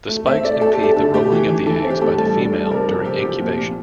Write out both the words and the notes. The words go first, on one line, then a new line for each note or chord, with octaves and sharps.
The spikes impede the rolling of the eggs by the female during incubation.
A3
C4 E5
A3 D5
A3 A4
G4
A3 A4
D3 A4
A3 G4
E3
E3
E3 A4
C4
G4
A2 A4
G3 A4
D4
G3
A4
C3 A#4
F3 A4
C3 G4
F3 G4
A#2
A#2